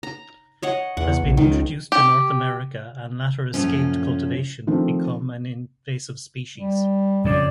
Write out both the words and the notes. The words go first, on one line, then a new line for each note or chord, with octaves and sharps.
Has been introduced to North America and latter escaped cultivation become an invasive species.
A#5
C#5 D#5 F#5
E2 F#5
A#1
C#2 D#3
G4
F#2 A#2 F3 A3 C#4
D#3 F3 A3 C4
G3
F2 C#3 D5